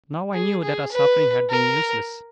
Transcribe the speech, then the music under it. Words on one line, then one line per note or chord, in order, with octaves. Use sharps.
Now I knew that our suffering had been useless.
G#4
G#4
B4
A#4